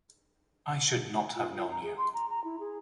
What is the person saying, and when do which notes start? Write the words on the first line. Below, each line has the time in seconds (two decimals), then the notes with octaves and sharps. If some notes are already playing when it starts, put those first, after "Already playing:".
I should not have known you.
1.35 F4
1.57 F4
1.71 A#5
1.83 G#4
1.98 C6
2.14 A#5
2.29 A#5
2.44 E4
2.60 G#4